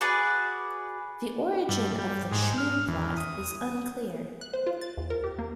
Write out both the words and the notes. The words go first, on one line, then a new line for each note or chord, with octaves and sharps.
The origin of the shmoo plot is unclear.
F#4 G#4 B4 D5
G2
G3
G#2
F6
E2
D#6
F#6
C5
F4
A6
E2
A#4
G4
A#3